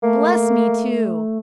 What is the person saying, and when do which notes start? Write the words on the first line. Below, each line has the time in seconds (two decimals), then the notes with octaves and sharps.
"Bless me too!"
0.03 A3 A#3